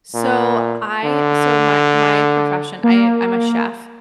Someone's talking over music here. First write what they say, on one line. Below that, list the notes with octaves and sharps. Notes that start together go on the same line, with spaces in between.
So I so my my profession, I I'm a chef.
A#2
D3
A#3